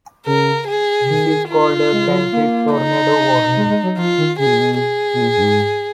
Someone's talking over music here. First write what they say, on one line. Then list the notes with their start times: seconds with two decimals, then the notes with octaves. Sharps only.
This is called a blanket tornado warning.
0.26 C#3 A#4
0.68 G#4
1.09 D#3
1.50 F4
1.92 G#3
2.07 F3
2.12 F#3
2.33 A#3
2.73 D#4
3.57 G#3
3.69 G#3
3.83 F#3
3.97 F3 F4
4.18 D#3
4.39 C#3 G#4
4.47 B2
4.53 A#2
4.60 B2
4.79 G#4
5.13 B2
5.21 A#2
5.37 F#2
5.42 G#2